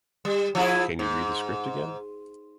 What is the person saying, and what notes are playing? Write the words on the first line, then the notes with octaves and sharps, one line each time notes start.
Can you read the script again?
G3
F3 E4 G#4
G#2